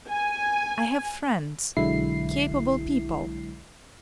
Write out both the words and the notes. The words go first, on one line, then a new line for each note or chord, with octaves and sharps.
I have friends... capable people....
G#5
B1 D3 F#3 G#3 E4 C7